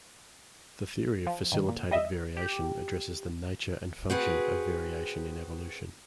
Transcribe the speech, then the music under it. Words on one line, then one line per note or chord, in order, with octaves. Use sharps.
The theory of facilitated variation addresses the nature and function of variation in evolution.
F3
G2 D#3
A#2
G3 D#5 E5
G4
C4 F#4 G#4 B4